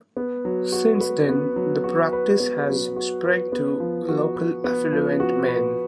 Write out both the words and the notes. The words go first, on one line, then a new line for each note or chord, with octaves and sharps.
Since then the practice has spread to local affluent men.
B3
F#3
F#4
B4
B3
F#3
F#4
B4
B3
F#3
F#4
B4
B3
F3
F#4
B4
B3
F3
F#4
B4